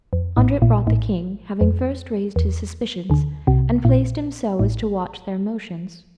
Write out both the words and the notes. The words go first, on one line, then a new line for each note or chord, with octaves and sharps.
Andret brought the king, having first raised his suspicions, and placed him so as to watch their motions.
F2
A1 A2
A#1 A#2
A1 A2
F2
E2
D2 D3
C2 C3
A#1 A#2
A1 A2